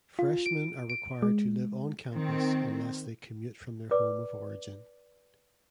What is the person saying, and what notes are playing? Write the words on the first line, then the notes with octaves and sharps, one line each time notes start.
Freshmen are required to live on-campus, unless they commute from their home of origin.
F4
D7
D7
G#3
D#3 C4
B4 D5 D6